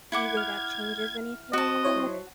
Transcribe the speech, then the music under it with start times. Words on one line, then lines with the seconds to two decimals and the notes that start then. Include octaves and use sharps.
Do you think that changes anything, or
0.12 E4 F#5 D6 G#6
0.37 F6
1.53 C4 F#4 D#5 A5
1.85 E4 C5 C#5